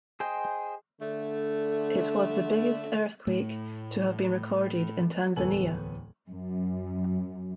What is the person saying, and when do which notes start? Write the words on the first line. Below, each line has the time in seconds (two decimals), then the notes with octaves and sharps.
It was the biggest earthquake to have been recorded in Tanzania.
0.20 G#4 C5 D#5 G5
1.01 D3 A3
3.27 A2 A3
5.36 D1 E2 B3 A4 G#5 F#7
6.29 F#2